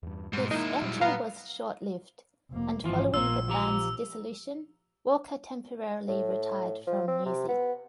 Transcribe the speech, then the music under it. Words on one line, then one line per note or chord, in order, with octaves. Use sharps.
This venture was short-lived; and following the band's dissolution Walker temporarily retired from music.
E2 G2
G#2 B2 G3
G#3 A#3 D#4 E4
A#2 F#3 G3
B4 F5 F#5 A#5
F1 A#3
G#1 E3 F3 F4
A#1 A#2 A#3 F4 E6
F3 G4 A#5
A2
F3
C4
C3
B3